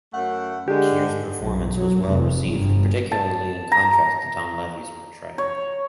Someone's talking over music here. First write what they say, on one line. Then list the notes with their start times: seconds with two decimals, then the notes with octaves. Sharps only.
Keir's performance was well-received, particularly in contrast to Donlevy's portrayal.
0.13 F#2 A3 F#5
0.68 D3 G#3 G4
1.37 B1
1.72 F#3
2.06 F1
2.48 G1
3.12 A5
3.72 A#5
5.38 C#5